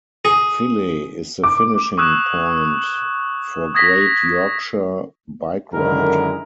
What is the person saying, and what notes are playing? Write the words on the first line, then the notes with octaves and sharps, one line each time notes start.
Filey is the finishing point for Great Yorkshire Bike Ride.
G#4
D6
C#6 D#6 E6 F#6 G#6 E7
D#6 G#6 A#6 B6
F#2 D3 D#3 G#3 E4 A#4